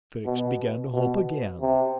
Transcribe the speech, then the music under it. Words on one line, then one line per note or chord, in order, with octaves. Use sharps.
Fix began to hope again.
B2
B2
C3